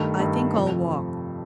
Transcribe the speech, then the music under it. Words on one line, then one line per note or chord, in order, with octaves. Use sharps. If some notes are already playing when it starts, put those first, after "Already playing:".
"I think I'll walk."
Already playing: G2 D#3 A3
G2 D#3 A3
F2 C3 F3 A3